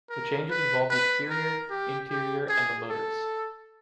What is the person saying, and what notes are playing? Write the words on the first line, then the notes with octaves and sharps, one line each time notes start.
The changes involve the exterior, interior and the motors.
A#4
B4
B4
A#4
G4
G4
G#4
A4